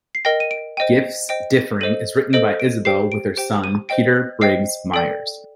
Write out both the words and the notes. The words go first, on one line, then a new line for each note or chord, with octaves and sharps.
Gifts Differing is written by Isabel with her son, Peter Briggs Myers.
C7
A#4 D#5 G5 A#6
D#7
D7
C5 D#5 G5 D#7
C5 D#5 G5 D7
A4 C5 D#5 D#7
A4 C5 D#5 D7
D7
G4 C5 G5 C7
D7
G4 C5 G5 D7
D#7
C5 D#5 G5 D7
C5 D#5 G5 C7
A4 D5 G5 D7